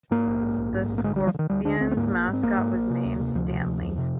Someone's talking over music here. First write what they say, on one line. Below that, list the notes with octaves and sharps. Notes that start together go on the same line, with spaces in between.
The Scorpions' mascot was named Stanley.
G#2 A#3
A#1
G#2
A#1
G#2
A#1
A#3
D3 G#3
D2 G3
F3
D3
D#3
D2 G3
D3 D4
D2 C4
C4
G#2 A#3
A#1
G#2
C4
A#1 A#3
G#2
A#1
C3
D2
C3
D2 F3
C3
D2
F2
C3